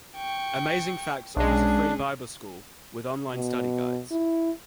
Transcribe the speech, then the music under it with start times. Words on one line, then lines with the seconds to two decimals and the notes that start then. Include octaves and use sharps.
"Amazing Facts" offers a free Bible school with online study guides.
0.17 G5 C#6
1.36 B1 G#3 C#4 D4 G#4
3.35 B2
4.11 E4